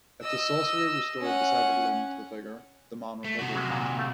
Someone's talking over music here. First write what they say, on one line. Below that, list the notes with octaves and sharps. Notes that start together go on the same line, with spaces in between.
If the sorcerer restored the severed limb to the figure, the man recovered.
D#5 E6
C#4 F#5
A3
C3 F#4
F#3 G#3 A#3
A#2
A3